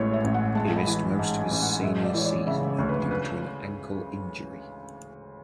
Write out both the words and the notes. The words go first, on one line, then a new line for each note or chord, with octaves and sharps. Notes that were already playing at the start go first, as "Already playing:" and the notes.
He missed most of his senior season due to an ankle injury.
Already playing: A1 A2 G#3 C#5
E5
A1
F#5
G#3 A5
B5
E3
G#2 A5
G#5
A1
F#5
G#3 E5
D5
E3 C#5
D5
C#3 E5
C#5
D2
B4
B4